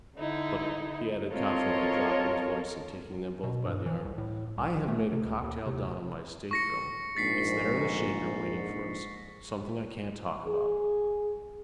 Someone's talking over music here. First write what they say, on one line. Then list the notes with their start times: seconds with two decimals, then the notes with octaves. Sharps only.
But," he added confidentially, dropping his voice and taking them both by the arm, "I have made a cocktail down in my stateroom--it's there in the shaker waiting for us, something I can't talk about.
0.17 D3 D#4 E4
1.31 C4 F4 A4 A#4 C#5 D#5
3.43 B2
3.65 G2
3.86 E3
4.05 C2
4.18 A2
4.57 C2
4.75 A#1
4.88 A3
5.13 C3
5.25 C#2
5.43 D#2
5.66 C3
6.51 C#6 A#6 C#7
7.17 A#1 G#2 A6 B6 C7
10.46 G#4